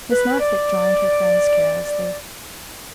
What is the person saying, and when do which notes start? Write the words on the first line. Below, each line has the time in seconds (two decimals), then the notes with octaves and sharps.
Miss Northwick joined her friends carelessly.
0.12 B4
0.40 D5